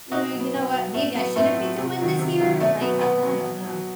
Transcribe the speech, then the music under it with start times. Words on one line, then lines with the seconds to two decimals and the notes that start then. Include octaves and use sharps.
uh, "You know what? Maybe I shouldn't be doing this here?" Like, I I don't know.
0.11 B2 D#4 F#4
0.32 F#3
0.40 B3
0.53 B2
0.74 F#3
0.94 A2 A3
1.15 F#3 B3
1.36 A2 A3 C4
1.57 F#3
1.78 C3
1.98 D#3 F#3
2.19 C3
2.40 D#3 F#3
2.60 B2 A3
2.81 F#3 B3
3.01 B2 B3
3.23 F#3
3.43 B2
3.64 F#3